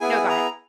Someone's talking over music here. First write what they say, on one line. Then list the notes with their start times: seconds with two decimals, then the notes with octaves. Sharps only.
No, go ahead.
0.01 B3 E4 G#4 G#5
0.29 A#5